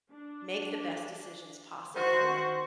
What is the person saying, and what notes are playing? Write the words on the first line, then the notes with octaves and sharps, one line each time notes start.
make the best decisions possible,
D4
D#3 F#4 C5